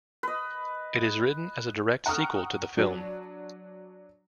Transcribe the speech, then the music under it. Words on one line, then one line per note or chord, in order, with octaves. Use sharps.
It is written as a direct sequel to the film.
B4 D#5
F#5 G5 A#5 C#6 D#6 F6
F#3 D4 F#4